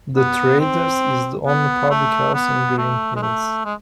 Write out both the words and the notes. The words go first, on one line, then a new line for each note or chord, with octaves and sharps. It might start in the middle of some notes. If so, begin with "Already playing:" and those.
"The Traders" is the only public house in Greenhills.
B3
C4
B3
A3
B3
A3
G#3
A3
G#3